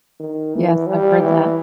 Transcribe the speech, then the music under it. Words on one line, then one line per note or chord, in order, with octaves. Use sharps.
Yes, I've heard that.
D#3
E3
G3
E3